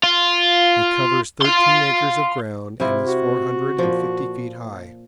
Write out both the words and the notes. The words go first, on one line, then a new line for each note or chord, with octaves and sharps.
It covers thirteen acres of ground and is four hundred and fifty feet high.
F4
F5 C6
C3 E4 F4
F#4
A#2 F3